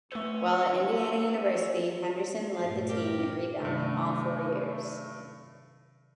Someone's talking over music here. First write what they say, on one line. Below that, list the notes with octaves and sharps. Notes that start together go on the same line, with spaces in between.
While at Indiana University, Henderson led the team in rebounding all four years.
B1 A3 C#4 B4 E6
G2 A#2 A3 F5
G4 A#4
G2 C3 D#3 F#3 A3